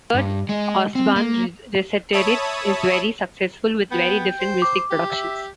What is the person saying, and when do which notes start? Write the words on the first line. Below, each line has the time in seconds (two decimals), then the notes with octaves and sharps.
Kurt Ostbahn, Resetarits is very successful with very different music productions.
0.14 G2
0.49 G#3
0.95 C4
1.16 A#3
2.13 C#5 E5 A5 B5 D#6
3.91 B3 G5
4.40 C5
4.62 D6
4.91 G4
5.10 E5